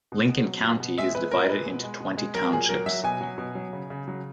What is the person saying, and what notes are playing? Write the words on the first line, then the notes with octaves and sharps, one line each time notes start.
Lincoln County is divided into twenty townships.
B2
B2
F#3
B2
B2
G#3 E5
G#3 B4
A#2 A#4
G#3 B4
B2
G#3
B2
G#3
F#3 A#4
A#2 G#4
F#3 A#4
F#3 E5
B2 G#5
F#3
B2
F#3
C#3
C#3
F#3